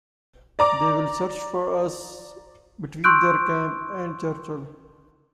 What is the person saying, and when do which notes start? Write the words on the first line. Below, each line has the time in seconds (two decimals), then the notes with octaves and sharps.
They will search for us between their camp and Churchill.
0.59 D5 A#5 D6
3.04 C6 C#6 E6 F#6 G6 D7